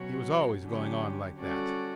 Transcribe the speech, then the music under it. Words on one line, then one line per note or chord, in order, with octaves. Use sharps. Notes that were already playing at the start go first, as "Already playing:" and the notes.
He was always going on like that.
Already playing: B2 F#3 C#4 F#4 C#5
D3 F#3 C#4 G4
G3 C#4 F#4 A4 D5